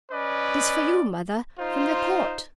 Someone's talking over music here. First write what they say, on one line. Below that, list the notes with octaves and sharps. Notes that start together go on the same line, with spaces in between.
"It is for you, mother--from the Court."
C#4 B4 D5 D#5
D#4 F4 C5